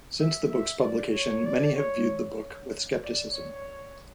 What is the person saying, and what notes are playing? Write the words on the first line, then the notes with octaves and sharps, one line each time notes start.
Since the book's publication, many have viewed the book with skepticism.
E5
E5
D5
C#5
D5
C#5
D5
C#5